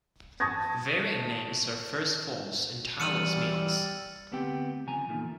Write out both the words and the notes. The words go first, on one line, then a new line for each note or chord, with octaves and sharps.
Variant names are First Falls and Tyler's Mills.
A5 C#6 D#6 G#6 A#6
E2 G3 E6 F6 A6 C#7 D#7 F#7
D2 B3 C4 G4 G5
C#3 F3 G#5 A#5
E2 A#2 D#3 A3